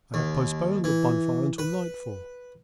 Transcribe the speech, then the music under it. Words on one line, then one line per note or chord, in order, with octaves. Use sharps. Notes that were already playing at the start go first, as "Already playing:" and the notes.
I have postponed the bonfire until nightfall.
D#2
E3
B4